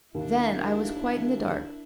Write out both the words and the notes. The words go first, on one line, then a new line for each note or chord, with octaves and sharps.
Then I was quite in the dark.
D#2 D4 E4